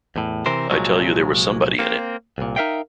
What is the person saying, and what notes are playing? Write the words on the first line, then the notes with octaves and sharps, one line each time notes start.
I tell you there was somebody in it.
E2 A2
C3 E3 C4 A#4 C5
C2 A#2 F3 F#3 G#3
A#3 C4
C2 A#2
D#4 A#4 E5 F5 G5